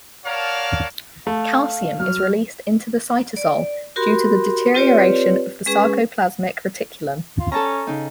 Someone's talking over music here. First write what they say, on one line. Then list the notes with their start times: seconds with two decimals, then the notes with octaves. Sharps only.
Calcium is released into the cytosol due to the deterioration of the sarcoplasmic reticulum.
0.25 A#4 C#5 D5 F5 F#5 A5
1.27 A3 F5
2.00 F#3 F6
3.37 D5
3.96 F#4 G4 A#4 B5 C6
4.74 C4 F4 G4 B4 C#5 D5
5.66 G#3 C#4 G#4 B4 C#6
7.40 F4
7.52 C#4 A4 A5 A#5
7.87 C#3 D#4